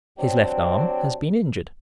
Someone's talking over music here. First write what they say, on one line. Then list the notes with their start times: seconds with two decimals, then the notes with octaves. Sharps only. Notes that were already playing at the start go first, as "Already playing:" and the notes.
His left arm has been injured.
0.19 F#3 C4 D4 G4